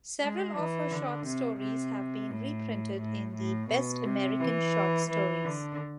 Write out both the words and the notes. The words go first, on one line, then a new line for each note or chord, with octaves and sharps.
Several of her short stories have been reprinted in "The Best American Short Stories".
G#3
E3
D3
C3
C3
A2
A2
A2
B2
C3
E3
E3
D3